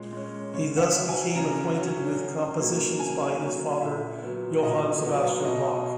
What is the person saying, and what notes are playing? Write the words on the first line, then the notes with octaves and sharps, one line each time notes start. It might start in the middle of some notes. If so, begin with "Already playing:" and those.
He thus became acquainted with compositions by his father Johann Sebastian Bach.
Already playing: A#2 G#3 C#4
G#3 C#4
C#3 C#5
F#5
E5
F#3 C#4
G#5
C#3 A#5
F#3 C#4
C#3
F#3 A#3
C#3 G#5
F#3 A#3
A#2 E5
F#3 B3
A#2 D#5
F#3 B3
B2 D#5